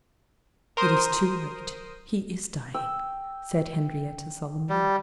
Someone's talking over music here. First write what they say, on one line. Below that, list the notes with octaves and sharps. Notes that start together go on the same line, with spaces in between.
"It is too late; he is dying!" said Henrietta, solemnly.
A#4 C5 D#6
G5 E6
G3